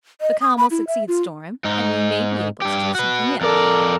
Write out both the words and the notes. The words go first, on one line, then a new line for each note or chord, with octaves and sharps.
But calm will succeed storm, and we may be able to do something yet.
D#5
D#6
B5
E4
E5
F4
G#2 D#4
G2 G4
F#4 B4
F2 A4 A#4 D5